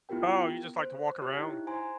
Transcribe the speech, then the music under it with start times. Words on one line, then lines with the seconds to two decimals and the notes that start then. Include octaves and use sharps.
Oh, you just like to walk around?
0.09 B3 E4 F4 G4 A#4 G5
0.78 C5
1.22 G4 C#5 F#6
1.38 D#4 E4
1.67 C5 G#5 A#5 C6